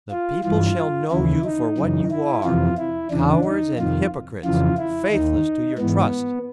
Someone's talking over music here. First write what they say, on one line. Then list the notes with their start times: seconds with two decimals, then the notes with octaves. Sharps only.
The people shall know you for what you are--cowards and hypocrites, faithless to your trust!
0.11 F4
0.44 G2 E3 F4
1.11 D#2 C#3 E3 E4
1.44 D#4
1.77 F#2 C#3 E3
2.12 E4
2.44 F2 C3 E3 F4
2.78 E4
3.11 E2 C#3 E3 D4
3.44 D#4
3.78 F2 C3 D#3 F4
4.45 F2 C#3 E3 F4
4.78 E4
5.12 D#2 D#3 D#4
5.78 G#2 E3 B3